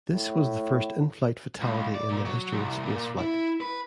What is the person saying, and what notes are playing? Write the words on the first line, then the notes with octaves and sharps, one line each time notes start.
This was the first in-flight fatality in the history of spaceflight.
A2
C#2
D5
A#2
F#3
C2
A#2
E4
B4